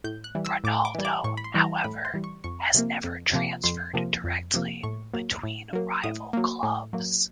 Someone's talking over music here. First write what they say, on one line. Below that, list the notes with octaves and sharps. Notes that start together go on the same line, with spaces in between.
Ronaldo, however, has never transferred directly between rival clubs.
A2 G6
F#6
E3 G3
E6
A2 D6
D6
E3 G3
D6
A2 C#6
B5
C6
E3 G3
A#5
A2 B5
C6
E3 G3
C#6
F2 C#6
C3 F3 A#3
F2
C3 F3 A#3
F2 C6
C3 F3 A#3
F2
C3 F3 A#3
A2 C#6
F#3 A#3
A2
F#3 A#3
A2 D#6
F#3 A#3
A2
F#3 A#3